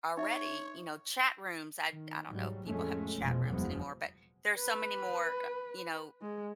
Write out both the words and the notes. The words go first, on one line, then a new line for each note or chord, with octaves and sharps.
already, you know, chat rooms, I I don't know if people have chat rooms anymore, but there are so many more, uh you know,
D#4 C#5 E5
D#3
G#2 F#3 G3
F2 A2 G#3 A3 C#4
F1 B2 F3 G#3
F#1 E2 F3 F#3 G#3 B3
B4
G#3